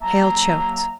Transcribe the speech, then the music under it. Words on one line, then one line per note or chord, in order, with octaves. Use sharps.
Hale choked.
D#2 F#3 A#3 E5 A5 A#5